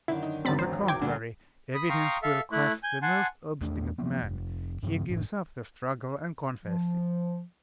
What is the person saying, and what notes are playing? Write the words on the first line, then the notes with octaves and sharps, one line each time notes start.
On the contrary, evidence will crush the most obstinate man; he gives up the struggle, and confesses.
F#2 D3 D#3 E4
D#4
G#1 E2 F#3 C4 B5 A6
C5
G5 D6 G#6
D2 D3 G3 A3
B5 D#6
F5 G5 A#5 C6 C#6 D#6
A4 E5 F5
A3 E4 F#6
G#5 G6
F#5 G#5 A5 C6
E2 A3 D4
F3 A#3 B3
F1
G2 C#3 F3 C4
F#1 F#2 A2 D4
F3